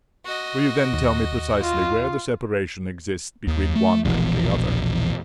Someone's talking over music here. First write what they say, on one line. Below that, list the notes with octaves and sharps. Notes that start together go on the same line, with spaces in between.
Will you then tell me precisely where the separation exists between one and the other?
F#4 D#5
D#2
F4
D#2
A3
E1 A#1 E2